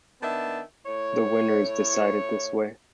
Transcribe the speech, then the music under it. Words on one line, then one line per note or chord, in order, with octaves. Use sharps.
The winner is decided this way.
D#3 B3 D4 E5 A5
A2 E4 C#5